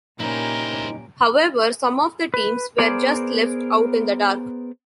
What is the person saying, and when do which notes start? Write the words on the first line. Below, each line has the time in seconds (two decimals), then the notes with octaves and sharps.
However, some of the teams were just left out in the dark.
0.20 A#2 C#4 D#4 E4 G4 A#4 C5
2.34 B4
2.78 B3 G#4 A#4 C5 D5